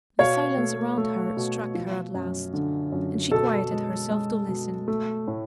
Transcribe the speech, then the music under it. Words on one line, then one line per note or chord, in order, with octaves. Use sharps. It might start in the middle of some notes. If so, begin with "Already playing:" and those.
The silence around her struck her at last; and she quieted herself to listen.
B2 C#5 F5
A3
A3
B2
F3
F#2
D3
F#2
B2 A4
G#3
G#3
B2
A3
A2